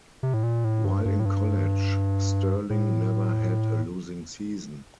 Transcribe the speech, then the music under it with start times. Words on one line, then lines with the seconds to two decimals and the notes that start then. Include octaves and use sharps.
While in college Stirling never had a losing season.
0.23 C3
0.34 A2
0.43 A#2
0.64 A2
0.85 G2
1.05 G2
1.20 A2
1.25 G2
2.70 A2